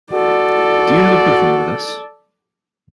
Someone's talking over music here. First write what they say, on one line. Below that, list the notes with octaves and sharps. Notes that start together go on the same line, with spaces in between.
Do you have a booking with us?
F#4 A4 D5